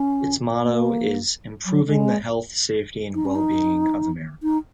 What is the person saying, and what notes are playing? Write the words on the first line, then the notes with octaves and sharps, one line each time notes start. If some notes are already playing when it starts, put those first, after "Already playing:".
Its motto is "Improving the health, safety, and well-being of America".
Already playing: C#4
A#3
F#3
G#3
D#4
C#4
D#4
D#4